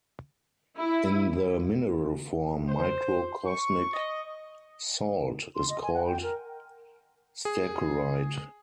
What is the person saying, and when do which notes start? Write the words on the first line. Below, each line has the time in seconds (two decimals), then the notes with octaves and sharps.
In the mineral form, microcosmic salt is called stercorite.
0.79 E4
2.67 C5
3.44 C#6
3.93 D#5
5.56 C6
5.70 D#5
5.82 G#5
5.94 F#5
6.06 G5
6.23 A#4
7.45 G#4